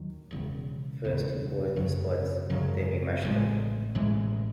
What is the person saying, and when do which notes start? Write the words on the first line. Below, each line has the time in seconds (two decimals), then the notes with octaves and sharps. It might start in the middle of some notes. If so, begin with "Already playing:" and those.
First you boil the spuds, then you mash them.
Already playing: D#2 D#3 F#3
0.31 E1 E2 C#3
1.04 E1 E2 C#3
1.76 G#1 F#2 C#3 F#3
2.50 G#1 F#2 C#3 F#3
3.22 A1 A2 E3 G#3
3.95 A1 A2 E3 G#3